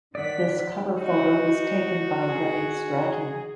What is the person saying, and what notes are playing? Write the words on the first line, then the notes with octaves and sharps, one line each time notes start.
This cover photo was taken by Remy Stratton.
D#3 D5 F#5 B6
D#4 F#4
G#4